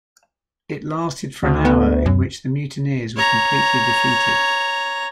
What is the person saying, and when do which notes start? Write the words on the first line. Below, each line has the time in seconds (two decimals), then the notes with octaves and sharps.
It lasted for an hour in which the mutineers were completely defeated.
1.42 D2
1.65 B3
2.06 F#2
3.16 C#5 A#5